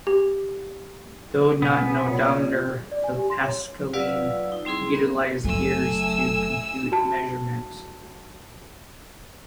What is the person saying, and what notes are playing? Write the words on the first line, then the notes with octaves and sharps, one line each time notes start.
Though not an odometer, the "pascaline" utilized gears to compute measurements.
G4
B2 B3 G#5
A#2 C#5
D5
G#5
G4
C6
C#5
F#3 F4 B4 D5 F5 E6
D#4
G3 C4 E4 G#4 C6
B3 A#4
F#1 F#3 A3 G#5 E6
F#4 A5